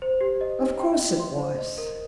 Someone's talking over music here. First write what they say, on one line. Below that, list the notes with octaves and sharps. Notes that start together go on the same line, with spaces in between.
"Of course it was!"
C5
G4
D#5
D#4
G5
D#5
C6
C5
D#5
A#4